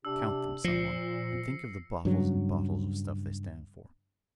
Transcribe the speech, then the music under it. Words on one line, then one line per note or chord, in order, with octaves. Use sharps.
Count them, some one, and think of the bottles and bottles of stuff they stand for.
C3 D4 G4 E6
A#2 F3 A#6 C7 C#7
G2 C#3 F#3